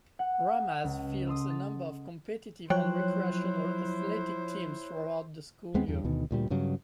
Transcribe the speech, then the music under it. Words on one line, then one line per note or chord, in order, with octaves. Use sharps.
Ramaz fields a number of competitive and recreational athletic teams throughout the school year.
F#5
C#2
A4 C6 D#6
A6
F3 F#3 E4 C5 C#5 G5 F#6
D#2 G#3 B3 C4
E2 G2
D2 B2 D#3
D2 A#2 G3
G2 C#3 F#3